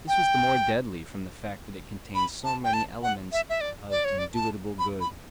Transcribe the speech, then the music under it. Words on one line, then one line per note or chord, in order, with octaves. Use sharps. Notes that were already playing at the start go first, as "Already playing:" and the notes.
This was the more deadly from the fact that it contained so many elements of indubitable good.
G5
B5
A5
G5
A5
F#5
E5
E5
D5
D5
C#5
D5
A5
B5
B5